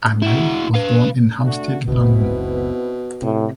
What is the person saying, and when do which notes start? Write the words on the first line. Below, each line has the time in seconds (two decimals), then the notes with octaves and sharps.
Arnell was born in Hampstead, London.
0.22 E4 F#4
0.75 B4 F5
1.45 A3 D4 F#4
1.88 F#1 C#2 B2 B3 C4 E4
3.22 A2 C3